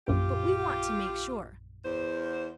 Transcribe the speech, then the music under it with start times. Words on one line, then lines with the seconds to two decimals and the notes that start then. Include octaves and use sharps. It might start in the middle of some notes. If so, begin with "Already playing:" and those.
But we want to make sure.
0.08 A#1 F#2 F4 G4
1.85 E2 C5